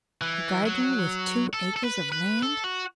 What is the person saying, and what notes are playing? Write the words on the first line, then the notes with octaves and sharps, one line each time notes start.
"A garden with two acres of land!"
E3
F#3
A4
A4
B4
B4
A4
F#4